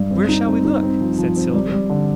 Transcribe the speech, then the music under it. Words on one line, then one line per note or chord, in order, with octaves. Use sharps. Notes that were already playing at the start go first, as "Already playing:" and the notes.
"Where shall we look?" said Sylvie.
Already playing: G2
C4
D#4
C4
D#4
C4
F3
F3
C4
G3
G3
D3